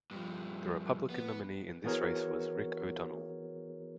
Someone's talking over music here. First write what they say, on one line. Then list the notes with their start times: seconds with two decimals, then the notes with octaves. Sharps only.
The Republican nominee in this race was Rick O'Donnell.
0.11 G2 F3
1.10 B3
1.84 E3 B3 F#4 G#4 A#4 C#5